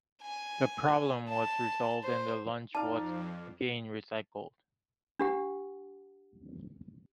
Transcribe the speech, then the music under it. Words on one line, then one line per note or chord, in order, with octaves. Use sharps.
The problem was resolved, and the launch was again recycled.
G#5
A5
C5
F2 D#4 D5 F5 A5
D4 G4 F#5